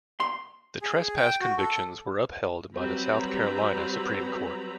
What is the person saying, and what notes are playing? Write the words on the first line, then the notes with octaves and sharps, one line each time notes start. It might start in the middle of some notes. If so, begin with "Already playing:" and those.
The trespass convictions were upheld by the South Carolina Supreme Court.
C6
G#4
G5
F#4
A4
F#3 G3 C4 B4 A#5 B5